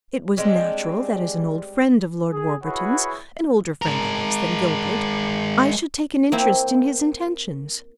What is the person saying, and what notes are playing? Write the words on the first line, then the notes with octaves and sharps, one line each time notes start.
"It was natural that as an old friend of Lord Warburton's--an older friend, that is, than Gilbert--I should take an interest in his intentions."
G3 G#3 C4 D4
G#4
E4 F#4 G#4 B4 C#5 F#5
G#3 A#4
A#3 C4 E4